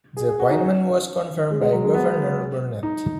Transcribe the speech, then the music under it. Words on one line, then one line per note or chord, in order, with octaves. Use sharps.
The appointment was confirmed by Governor Burnet.
G#4
G#4
F#4
D#4
C#4
G#3
G#3
F#3
G#3
B3
D#4